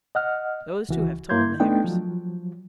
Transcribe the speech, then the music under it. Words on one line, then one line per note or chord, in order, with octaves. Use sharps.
"Those two have told theirs."
D#5 F#5 F6
C#2 E3 F#4
G2 A#3 E4 C6 G6 G#6
A3 B3 D4 D#4 G5
F3 F#3